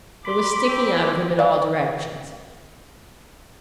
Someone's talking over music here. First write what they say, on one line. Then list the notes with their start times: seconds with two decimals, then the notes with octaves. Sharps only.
It was sticking out of him in all directions.
0.25 B5 C6 D6
0.67 C4 D6
1.39 D5 F5 G#5